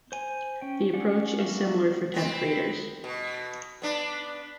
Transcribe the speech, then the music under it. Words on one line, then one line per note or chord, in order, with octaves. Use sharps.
The approach is similar for tenth graders.
C5 G#5
C#4 G5
C#4 G4 D5 F#5
B3 D4 F#4 E5 F5
B3 C4
B2
B3 D4